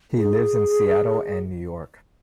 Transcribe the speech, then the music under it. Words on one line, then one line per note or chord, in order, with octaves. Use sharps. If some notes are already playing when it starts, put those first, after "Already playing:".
He lives in Seattle and New York.
G#4